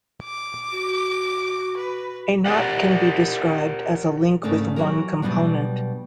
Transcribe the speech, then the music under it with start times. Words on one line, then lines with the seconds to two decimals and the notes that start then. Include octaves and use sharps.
A knot can be described as a link with one component.
0.23 D6
0.71 F#4
1.77 B4
2.46 G4 A#4 D5 F#5
4.44 G#2 C#3 A3 A#3 D4
4.76 E3 F#3 F#4 G4 A#4
5.22 B2 F#3 G3 B3 D4